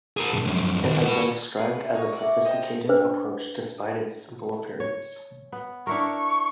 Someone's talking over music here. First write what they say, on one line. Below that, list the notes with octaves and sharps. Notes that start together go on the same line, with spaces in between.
It has been described as a sophisticated approach despite its simple appearance.
G#4 A#4
B1 G2
F#2 F3
G2 D#3
F#4 B4
G#4 B4
A3
D#4 C#5
E4 F#4 D5
C5 D#5 G5
D4 B4 C5
C#5
B3
D4 E4 A#4 C#6